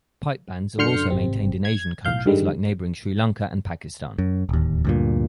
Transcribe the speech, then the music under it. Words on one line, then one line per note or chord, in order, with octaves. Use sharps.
Pipe bands are also maintained in Asian countries like neighboring Sri Lanka and Pakistan.
F#2 D3 C6 F6 G6 C#7
G#1 C3 C4
G#6
B1 A2 F5 G6
G2 D3 D#3 G3 G#3
F#2
D1 D#2
D2 G2 A#2